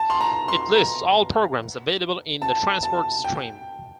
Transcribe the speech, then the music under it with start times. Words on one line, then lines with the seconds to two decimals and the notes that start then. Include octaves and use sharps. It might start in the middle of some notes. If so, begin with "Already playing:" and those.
It lists all programs available in the transport stream.
Already playing: A5
0.10 C6
0.21 A#5
0.48 C6
0.76 A#5
2.42 A5
2.83 A5
3.24 G5